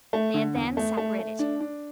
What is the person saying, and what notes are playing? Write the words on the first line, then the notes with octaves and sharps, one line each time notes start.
They had then separated.
A3
D3
E2
A3
A3
A3
D4
D4